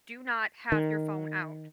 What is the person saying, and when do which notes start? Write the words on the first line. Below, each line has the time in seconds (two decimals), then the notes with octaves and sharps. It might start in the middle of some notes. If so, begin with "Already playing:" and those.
do not have your phone out."
0.72 D#3